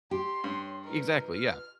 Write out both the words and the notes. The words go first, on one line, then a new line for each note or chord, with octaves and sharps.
Exactly, yeah.
G4 C6
G2 C#5
F4 A#4 B4 D#5
F6